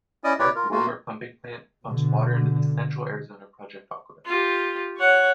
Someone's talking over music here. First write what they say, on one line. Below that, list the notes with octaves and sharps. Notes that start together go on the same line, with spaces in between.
Mark Wilmer Pumping Plant pumps water into the Central Arizona Project Aqueduct.
C#4 E4 D5 D#5 D#6
E4 G4 B4 C#5 D5
F4 A#4
A3 A#3 F4 F#4
B2 D3
F4 G4
C#5 F#5